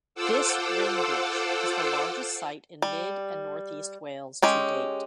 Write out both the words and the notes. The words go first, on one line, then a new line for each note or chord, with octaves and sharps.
This ring ditch is the largest site in mid and northeast Wales to date.
F4 A4 C5 F#5 D6 E6
G3
G#3 C#4 G4